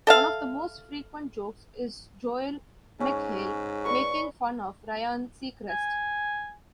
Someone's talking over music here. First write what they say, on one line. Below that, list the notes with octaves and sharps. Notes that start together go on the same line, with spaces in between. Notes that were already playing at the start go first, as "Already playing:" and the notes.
One of the most frequent jokes is Joel McHale making fun of Ryan Seacrest.
A4 E5 F5
G#2 C#4
B4 D5 C#6
G#5